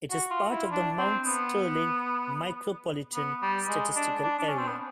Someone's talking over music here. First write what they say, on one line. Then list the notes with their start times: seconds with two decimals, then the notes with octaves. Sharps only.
It is part of the Mount Sterling Micropolitan Statistical Area.
0.11 F#4
0.31 F4
0.51 E4
0.71 D4
0.98 C4
1.26 B3
3.15 B3
3.42 G3
3.69 G#3
3.96 D4
4.23 D4
4.39 D4
4.49 C#4
4.58 C4
4.68 B3